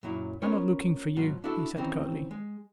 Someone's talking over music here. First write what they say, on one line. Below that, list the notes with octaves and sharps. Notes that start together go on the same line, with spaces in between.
"I am not looking for you," he said curtly.
F#2 A#2 F#3 E4 D5
B3 C#4 F4 A#4 C5 C#5
G#2 B2 F3 F#3
D4 E4 F#4 A4 E5
D#3 E3 C4 C#4 D#4
G#3